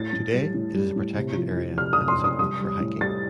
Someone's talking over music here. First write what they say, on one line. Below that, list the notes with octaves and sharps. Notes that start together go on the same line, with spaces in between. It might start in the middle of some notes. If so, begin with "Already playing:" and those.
Today, it is a protected area and is open for hiking.
Already playing: A2 A6
A2
G3
A2
G3
A2
C3
F3
F3
C3 F6
D#6
C3
C6
C3
D#6
G3 D#6
G3
A2
G3 A6